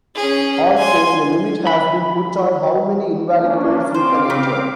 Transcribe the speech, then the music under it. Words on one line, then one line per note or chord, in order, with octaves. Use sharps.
Also, a limit has been put on how many invalid codes you can enter.
C#4 G#4
G#5 C6
B5
A#3 C#4 D4
C4 C5 F5 D6
C#3